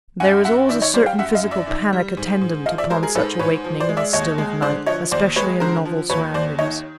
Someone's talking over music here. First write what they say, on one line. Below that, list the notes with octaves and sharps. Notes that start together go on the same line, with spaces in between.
There is always a certain physical panic attendant upon such awakening in the still of night, especially in novel surroundings.
F#2 F#5 G#5
F#2 E5 F#5
D#3 D5 E5
C#5 D#5
G3 C5 D5
F5 G5
F#2 E5 F#5
D#5 F5
F#2
D5 E5
D#3
G3
G#2
G#2
F3 D#5 F5
D5 E5
G#3 A#4 C5
G#4 A#4
G#2 A4 B4
G#2 B4 C#5
F3
C5 D5
G#3
D5 E5
D#2 C#5 D#5
G#3
D3 C5 D5
F3 C#5 D#5
D#2 C5 D5
G#3 B4 C#5
D3 A#4 C5
F3
D#2 B4 C#5
D#2 C5 D5
D#3 C#5 D#5